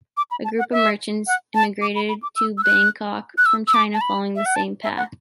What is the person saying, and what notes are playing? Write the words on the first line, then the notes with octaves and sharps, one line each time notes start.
A group of merchants emigrated to Bangkok from China following the same path.
D6
B5
A5
F#5
E5
F#5
A5
D6
B5
B5
D6
E6
E6
F#6
F#6
E6
E6
D6
A5
B5
E5
F#5
A5
E5
F#5